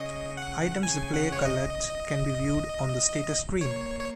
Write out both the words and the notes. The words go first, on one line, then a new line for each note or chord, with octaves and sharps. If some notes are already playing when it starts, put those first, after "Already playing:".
Items the player collects can be viewed on the status screen.
Already playing: C#3 D#5
F#5
C#3 G#5
F#5
C#5
D#5
A#3 C#5
C#5